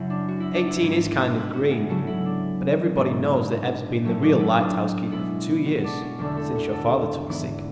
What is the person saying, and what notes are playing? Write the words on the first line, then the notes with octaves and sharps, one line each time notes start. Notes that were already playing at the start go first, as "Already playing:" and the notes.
Eighteen is kind of green, but everybody knows that Ev's been the real lighthouse keeper for two years, since your father took sick.
Already playing: F#2 C#3 F#3 E4
D4
F#4
E4
D4
E4
G#2 E3 B3 F#4
E4
F#4
G#4
C#3 F#3 A3 F#4
E4
D4
G#2 E3 G#3 B3 D4
A2 F#3 A3 C#4
D4
E4
D4
B2 G#3 B3 E4
F#4
D4
C#4
E2 D3 A3 D4
A4
F#4
A4
G#2 E3 B3